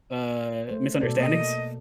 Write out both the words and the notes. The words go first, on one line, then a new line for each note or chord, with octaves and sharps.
uh, misunderstandings?
A3 C5
B2 A4 D5
A#3 D#5